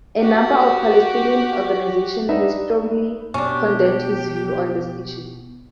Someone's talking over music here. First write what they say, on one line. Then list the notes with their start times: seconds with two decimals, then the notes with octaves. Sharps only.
A number of Palestinian organizations have strongly condemned his views on this issue.
0.20 F#4 G4
2.29 D4 D#4 B4 E5 F#5
3.34 B2 C#4 D4 G4